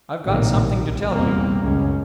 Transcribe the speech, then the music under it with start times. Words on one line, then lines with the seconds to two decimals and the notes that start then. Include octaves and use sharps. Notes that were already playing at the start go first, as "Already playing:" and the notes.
"I've got something to tell you."
0.25 A#1 A2 C3 D#3 F#3 A#3
0.73 C2
1.12 F1 A#1 E2 G3 A#3 C4
1.61 G#1 C#2 F#2 C#4